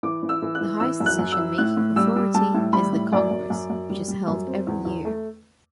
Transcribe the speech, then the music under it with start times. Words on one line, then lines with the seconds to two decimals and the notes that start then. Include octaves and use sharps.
The highest decisionmaking authority is the congress, which is held every year.
0.03 E3 D6
0.23 E3
0.29 E6
0.42 E3
0.55 F#6
0.61 E3
0.80 E3 E6
1.00 F#2
1.06 F#6
1.19 F#2
1.32 E6
1.38 E4
1.58 A2 F#6
1.77 A2
1.96 G3 E6
2.16 G3
2.34 G3 A5
2.54 A2
2.73 G3 B5
2.93 A2
3.13 F#2 D5
3.31 F#2
3.50 F#2
3.70 F#2
3.90 G3
4.08 G3
4.28 F#2
4.47 C4
4.67 E2
4.85 E2
5.05 A3